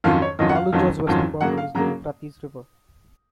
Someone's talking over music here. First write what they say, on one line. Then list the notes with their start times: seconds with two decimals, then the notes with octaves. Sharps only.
Fallujah's western boundary is the Euphrates River.
0.04 F2 D#3 F#3 C#4 F4 F5
0.22 C#5
0.39 F2 D#3 F#3 C#4 F4 D#5
0.49 F#5
0.55 F5
0.72 F2 D#3 F#3 C#4 F4
1.07 F2 D#3 F#3 C#4 F4
1.41 C#3 F#3 A#3 F#5
1.58 F5
1.74 C#3 F#3 A#3 A#5